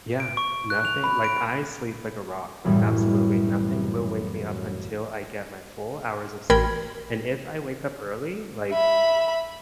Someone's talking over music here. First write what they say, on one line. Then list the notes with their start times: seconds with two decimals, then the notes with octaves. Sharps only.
Yeah, nothing like, I sleep like a rock. Absolutely nothing will wake me up until I get my full hours of sleep, and if I wake up early, like,
0.20 D7
0.37 C#6
0.70 F#6
0.85 F7
1.04 B5
1.24 D7
2.64 B1 F#2 A2 E3 G3
6.50 A1 A#4 G5 B5 G#6
8.71 E5 B5